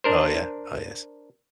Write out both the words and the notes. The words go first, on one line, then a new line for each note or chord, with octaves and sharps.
Oh, yeah. Oh, yes.
D4 A#4 C5